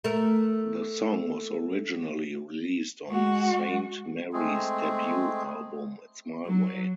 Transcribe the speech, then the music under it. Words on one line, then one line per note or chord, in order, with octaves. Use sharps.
The song was originally released on Sainte-Marie's debut album It's My Way!
A3 A#4
G#3 F#4
G#3 A3 C4 G#4
F#3